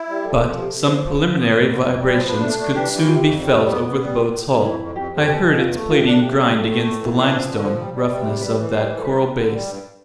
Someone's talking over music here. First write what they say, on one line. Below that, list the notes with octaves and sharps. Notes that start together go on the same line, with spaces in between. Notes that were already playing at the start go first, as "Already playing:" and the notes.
But some preliminary vibrations could soon be felt over the boat's hull. I heard its plating grind against the limestone roughness of that coral base.
Already playing: E4
G3
F3 A4
F3
C3
C3
F3 C5
F3
F3
B3
F2
D3
F2
G3
F3 B4
C5
D4 B4
A3 A4
D4
E3 G4
E3 D4
E4
C3 F4
F2
G3
F2
B3
B3
G3
A2
A2
A2
F2 E4
F2
F2 G4
F2
A4
B2 G4
B2
E2 F4
A3
C3 F4
D4
A4
C3 G4
G3
A2 A4
A3
A2
E3
D4
F3
D3
F3
G3
G3
C3
G3
G3 B4
E3
G3 C5
E3
A4
G3 B4
D3
D3
G3
G2